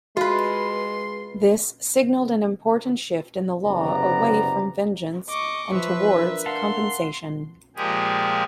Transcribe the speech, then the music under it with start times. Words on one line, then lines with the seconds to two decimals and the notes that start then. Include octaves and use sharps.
This signaled an important shift in the law away from vengeance and towards compensation.
0.17 G#3 F4 F#4 B4 C6
3.63 F#1 C3 B3 D5 A#5
5.29 D#5 C#6 D6
5.75 F3 B4 E5
6.14 D4 A#4
6.46 F5 F#5 A5 C6
7.76 A#2 F3 G#3 G4 G#4